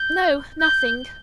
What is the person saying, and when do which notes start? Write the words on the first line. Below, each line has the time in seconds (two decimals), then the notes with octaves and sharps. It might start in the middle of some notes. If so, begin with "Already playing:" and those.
'No, nothing.
Already playing: G6
0.60 G6